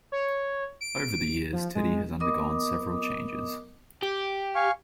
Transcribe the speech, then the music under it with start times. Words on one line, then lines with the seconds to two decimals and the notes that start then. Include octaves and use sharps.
Over the years, Teddy has undergone several changes.
0.12 C#5
0.81 D7
1.53 F3
1.75 G#3
2.20 B3 A#4 D#5 D6 D#6
4.02 G4
4.55 F5 G#5 C#6